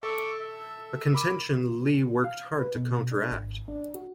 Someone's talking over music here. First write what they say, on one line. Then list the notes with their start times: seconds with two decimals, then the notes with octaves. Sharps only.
A contention Lee worked hard to counteract.
0.03 A4 E5 C#6 D6
0.40 E5
1.13 A#4 B5 D6
2.24 F5
2.59 B4
2.75 B2
3.11 D4
3.32 G#1
3.68 D4
3.95 F#4